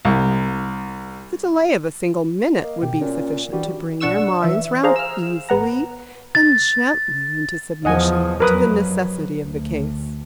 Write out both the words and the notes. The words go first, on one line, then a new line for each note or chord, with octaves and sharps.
The delay of a single minute would be sufficient to bring their minds round easily and gently into submission to the necessity of the case.
C2
A#3 D#5
B2 G4
A#2 C#4
E3 G3 D4 F#4
B1 D4 F#5 C#6 E6 E7
E3 E5
G#4 C5 F5 A#5
E6 F6
A1 B3 F#5 A#5
A6
E2 F3 D#5 F#5 G#5
F2 F#3 A#4 B4 D#6
D2